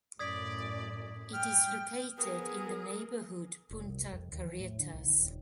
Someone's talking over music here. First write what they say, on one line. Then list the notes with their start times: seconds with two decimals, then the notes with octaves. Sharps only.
It is located in the neighborhood Punta Carretas.
0.19 F#2 A2 D5 D#6 G#6 B6
1.33 G5 F6
2.18 B3 G#4 A#4 D#6
3.71 F1
3.88 C2
4.13 F2
4.32 D#2
4.45 E3
4.59 A2
4.80 D3
4.93 C2
5.06 D#3
5.18 D#1